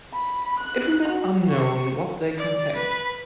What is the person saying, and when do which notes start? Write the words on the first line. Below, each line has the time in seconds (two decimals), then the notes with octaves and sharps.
It remains unknown what they contained.
0.13 B5
0.59 F#6
1.08 F#4
1.50 C#6
2.38 D5
2.76 B4